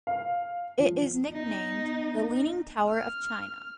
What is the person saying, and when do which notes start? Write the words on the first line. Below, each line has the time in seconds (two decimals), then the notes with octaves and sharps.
It is nicknamed the 'Leaning Tower of China'.
0.07 F5
0.79 F3
1.30 B3 D#4
2.89 F6